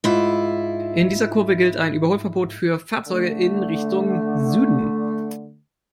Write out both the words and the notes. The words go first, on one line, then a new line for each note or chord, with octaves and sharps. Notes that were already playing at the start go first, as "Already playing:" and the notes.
In dieser Kurve gilt ein Überholverbot für Fahrzeuge in Richtung Süden.
G#2 E4 F4
D3 A3